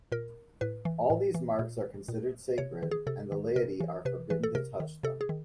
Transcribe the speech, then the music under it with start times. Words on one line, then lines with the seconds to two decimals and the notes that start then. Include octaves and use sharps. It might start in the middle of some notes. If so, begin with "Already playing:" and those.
All these marks are considered sacred, and the laity are forbidden to touch them.
0.12 A#2 A#4
0.61 A2 B4
0.85 E3
1.10 A2
1.34 E3
1.59 A#2
2.08 A#2
2.58 C3 C#5
2.83 D#3
2.91 G#4
3.07 C3 A4
3.32 D#3
3.56 C3 A#4
3.80 E3
4.05 C3 B4
4.30 E3 B4
4.43 A4
4.55 C3 A#4
4.80 D#3
5.03 C3 A4
5.21 G#4
5.29 D#3